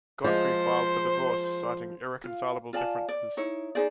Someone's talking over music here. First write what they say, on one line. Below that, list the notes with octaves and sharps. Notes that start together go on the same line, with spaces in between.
Godfrey filed for divorce, citing irreconcilable differences.
F3 G#3 C5
F4
F4 D5 G#5 A5
D5
D#4 E4 C#5
D#4 G#4 C5 D5